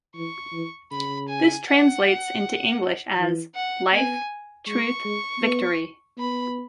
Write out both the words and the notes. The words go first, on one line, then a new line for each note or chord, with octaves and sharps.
This translates into English as, "Life, Truth, Victory".
E3 C#6
E3
C#3 B5
G#5
F#5
E3
F#5
B3 G#5
G#3 C#6
G#3
B3
B3 B5